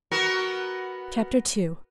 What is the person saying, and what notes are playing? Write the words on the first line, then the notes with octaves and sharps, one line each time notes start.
Chapter II.
B3 F#4 A#4